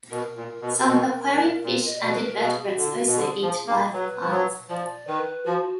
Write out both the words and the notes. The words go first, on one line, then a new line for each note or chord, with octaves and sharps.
Some aquarium fish and invertebrates also eat live plants.
B2 A#4
A#2
B2
B2
A#2
D#5
B2 D5
B4
A#4
B2 G#4
F#4
D3
F4
F#4
B2
D3 G#4
F3
A#3
F#3 B4
F3
F#3
F3 D5
D#3 B4
F3 F#4